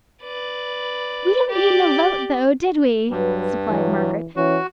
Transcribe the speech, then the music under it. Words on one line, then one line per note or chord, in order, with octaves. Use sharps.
"We didn't mean the vote, though, did we?" supplied Margaret.
B4 D5
G4 D5
G2 F#3 B4
E3 F#3
E3 C#4 F#4